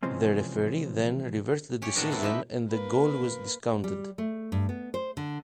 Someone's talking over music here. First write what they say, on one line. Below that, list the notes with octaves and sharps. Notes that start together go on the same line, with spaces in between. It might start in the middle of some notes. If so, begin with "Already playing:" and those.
The referee then reversed the decision and the goal was discounted.
C3 E3 F3 G#3 C4 C#4
C#4 G4 C#5
A2 A#3 B3 D4 G#4 A#4
F#2 C4 E4
D#4 E4 G4 B4 E5
A#3 B4
G3
A3
G2
B3
C5
D3